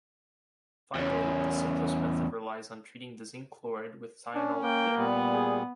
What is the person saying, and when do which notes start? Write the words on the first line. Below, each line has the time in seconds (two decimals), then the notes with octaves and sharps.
Finally, the simplest method relies on treating the zinc chloride with thionyl chloride.
0.95 E2 C#4
4.34 C#4 D4
4.63 A#3 G5
4.98 A#2 G3 B3
5.34 G#4